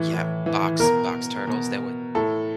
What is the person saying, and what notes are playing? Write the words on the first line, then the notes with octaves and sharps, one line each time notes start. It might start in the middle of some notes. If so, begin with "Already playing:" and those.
Yeah, box box turtles that would
Already playing: A2 E3
A2
E3
B2 A#4
B2
A2 A4